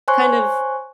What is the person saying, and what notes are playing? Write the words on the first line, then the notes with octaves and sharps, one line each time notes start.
kind of
C5 C#5 G#5 C6 C#6 F#6